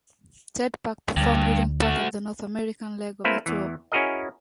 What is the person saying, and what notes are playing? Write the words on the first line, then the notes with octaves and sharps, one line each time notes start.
Ted Park performed during part of the North American leg of the tour.
D2 G2
A3 F#4
A3 A#3 C4 E4 B4 C5
E2 E3
C#4 E4 F#4 G#4 A#4 D#5